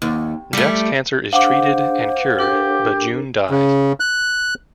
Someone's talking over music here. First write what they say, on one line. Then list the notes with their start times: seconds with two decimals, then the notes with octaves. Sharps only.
Jack's cancer is treated and cured, but June dies.
0.02 D#2
0.53 G3 A3
1.33 D4 G#4 C5 F5 F#5 D6
2.39 D4 G4 A4 A#4
3.50 C#3
4.00 F#6